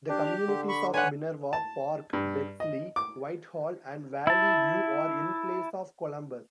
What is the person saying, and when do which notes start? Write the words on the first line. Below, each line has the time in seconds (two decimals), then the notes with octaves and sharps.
The communities of Minerva Park, Bexley, Whitehall, and Valleyview are enclaves of Columbus.
0.09 D4 G4
0.48 D3
0.69 B5 C#6
0.94 D3 B4 C#5 F#5 G#5
1.53 A5
2.13 G2
2.60 D#5
2.96 D6
4.27 E4 A5